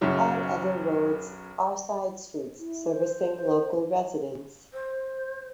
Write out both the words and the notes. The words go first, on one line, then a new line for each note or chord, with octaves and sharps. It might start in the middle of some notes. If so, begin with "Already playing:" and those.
All other roads are side streets servicing local residents.
B1 F#2 C#3 F#3
E4
C5
C5